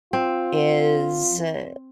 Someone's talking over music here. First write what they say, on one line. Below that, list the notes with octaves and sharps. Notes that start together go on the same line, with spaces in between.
is uh,
C4 F4